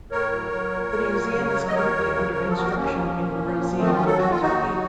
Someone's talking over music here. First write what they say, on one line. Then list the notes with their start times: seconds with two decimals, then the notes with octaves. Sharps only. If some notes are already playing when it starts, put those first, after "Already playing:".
The museum is currently under construction in Rosine, Kentucky.
0.11 A2 A#4 C#5
0.32 F#3
0.52 F#3
0.72 A#2
0.93 A#2
1.13 F#3
1.33 C#3
1.54 F#3
1.68 D#5
1.75 D#2 A#4 C#5
1.95 D#2
2.15 C#3
2.35 F3
2.48 A4
2.56 D#2 F#4 A#4
2.76 D#2 A#3 C#4
2.97 F3
3.17 A#2
3.38 A#2
3.59 F3
3.78 D#3 A3 C4
3.92 C#4 F4
3.98 F#3
4.06 A4
4.18 D#2 F#4
4.30 F4
4.40 D#2 D#4 F#4
4.60 F#3